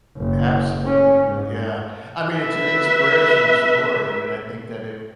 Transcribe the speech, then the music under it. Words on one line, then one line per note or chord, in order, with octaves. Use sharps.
Absolutely, yeah. I mean, it's an inspirational story. I mean, I think that if
F#1
C#4
G#2
B4 E5